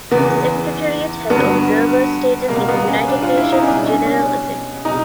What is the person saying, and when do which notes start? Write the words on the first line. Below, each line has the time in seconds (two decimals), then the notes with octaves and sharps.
The Secretariat has observer status in the United Nations General Assembly.
0.11 E2 C#3 E3 B3
1.30 G2 D3 F#3 B3
2.48 E2 B2 G3 A#3
2.69 B3
2.88 C#4
3.08 D4
3.22 F4
3.37 E4
3.52 D#4
3.62 C#4
3.67 B2 G3 D4
3.87 C#4
4.06 C#4
4.85 B2 G3 D#4